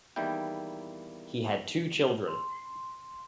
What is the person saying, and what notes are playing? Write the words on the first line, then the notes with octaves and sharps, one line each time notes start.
He had two children.
E2 D#3 G3 A#3 E4 G5
C6